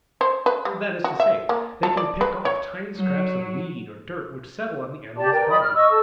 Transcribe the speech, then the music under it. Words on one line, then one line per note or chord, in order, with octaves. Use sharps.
That is to say, they can pick off tiny scraps of weed or dirt which settle on the animal's body.
C5
B4
G3
F#4
E5
A#3
A4
D5
B4
C#5
F#3
G4 D5 A5
A#4 B4 D5 G5
D5 D#5 B5 D#6
F6
D#5 C#6 E6
A4 E6